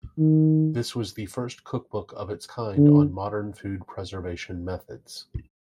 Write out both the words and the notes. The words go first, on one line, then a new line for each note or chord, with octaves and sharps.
This was the first cookbook of its kind on modern food preservation methods.
D#3
D3